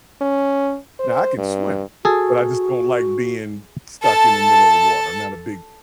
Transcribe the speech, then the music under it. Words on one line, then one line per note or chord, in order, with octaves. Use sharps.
Now, I can swim, but I just don't like being stuck in the middle of water. I'm not a big
C#4
C5
G2
F#4 G#4 A4
A4 A5